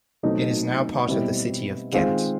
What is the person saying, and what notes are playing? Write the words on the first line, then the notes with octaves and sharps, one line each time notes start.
It is now part of the city of Ghent.
B2 F#3 A3 C4 D#4
B2 G3 C4 E4
D#3 G#3 C4 F4